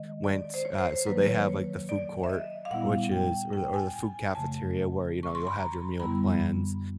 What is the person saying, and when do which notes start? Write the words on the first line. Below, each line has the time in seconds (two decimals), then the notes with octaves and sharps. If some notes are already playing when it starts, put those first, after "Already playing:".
went, uh, so they have like the food court, which is or the or the food cafeteria where, you know, you'll have your meal plans
Already playing: D#3 G#3 D#5
0.24 D5
0.54 C5
0.65 C#5
0.79 C5
0.92 C5
1.07 D#3 F#3 A#3 B4
1.27 C#5
1.89 D5
2.23 E5
2.30 D#5
2.65 F5
2.71 A#2 G3 B3 E4 F#5
3.12 G5
3.53 G5
3.74 G#5
3.94 G#5
4.35 F2 C#3 F3 A3 A5
5.23 C#6
5.35 C6
5.47 B5
5.59 A#5
6.00 F#2 D3 G3 B3 E4 B5